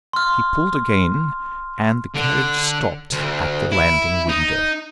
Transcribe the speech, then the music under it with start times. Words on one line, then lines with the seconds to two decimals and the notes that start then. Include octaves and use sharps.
He pulled again and the carriage stopped at the landing window.
0.13 C6 F6
2.15 D3
3.12 D2
3.72 E4
4.28 D#4